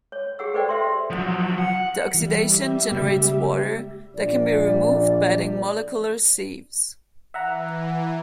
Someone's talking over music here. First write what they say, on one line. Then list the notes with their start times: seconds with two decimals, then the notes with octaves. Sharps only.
The oxidation generates water that can be removed by adding molecular sieves.
0.12 C#5
0.39 G4 G#4 F#5 E6
0.53 A4 B4 C5 D5 G5
0.69 G4 E5 C6
1.10 F3 F#3
1.58 F#5
2.14 E3 G3 G4 E5
2.92 C#3 G#3 A#3
4.15 A#1 D5
7.34 E3 E5 F#5 A#5